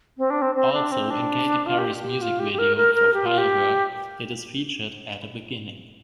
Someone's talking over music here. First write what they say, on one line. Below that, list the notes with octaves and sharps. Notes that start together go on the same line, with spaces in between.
Also, in Katy Perry's music video for "Firework", it is featured at the beginning.
C4
D4
C4
C4
D4
C4
D4
F4
G4
G4
F4
G4
G4
A#4
A#4
A#4
G4
F4
G4